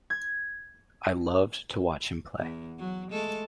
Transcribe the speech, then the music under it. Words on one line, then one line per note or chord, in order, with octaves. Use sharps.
I loved to watch him play.
G#6
E2
F#3
G#3 A3 A4